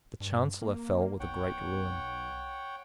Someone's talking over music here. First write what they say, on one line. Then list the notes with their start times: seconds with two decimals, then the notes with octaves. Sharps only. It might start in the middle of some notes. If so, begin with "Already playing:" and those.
The Chancellor fell with a great ruin.
0.20 G2
0.61 A#3
1.20 B1 C#5 F#5 G5